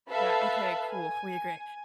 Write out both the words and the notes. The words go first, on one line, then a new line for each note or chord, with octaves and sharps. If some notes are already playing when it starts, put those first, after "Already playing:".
Yeah, okay, cool, we agree,
A4 B4 E5 F5 A5 B5
G#5